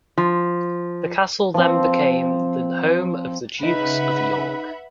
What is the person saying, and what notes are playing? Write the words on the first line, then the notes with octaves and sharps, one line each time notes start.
The castle then became the home of the Dukes of York.
F3
F3 C4
C#3 D#4 B4 E5 F#5 B5